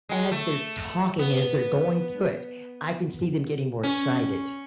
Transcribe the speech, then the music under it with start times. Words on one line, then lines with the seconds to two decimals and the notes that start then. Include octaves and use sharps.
As they're talking, as they're going through it, I can see them getting more excited,
0.09 G#3
0.31 A3
1.19 B3
3.83 C#4